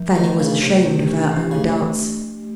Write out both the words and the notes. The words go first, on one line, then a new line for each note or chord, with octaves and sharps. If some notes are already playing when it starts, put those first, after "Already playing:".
Fanny was ashamed of her own doubts.
Already playing: F3
D#3 A3
C#3 D4
C3 G4
D4
D4
G4
C#3 A3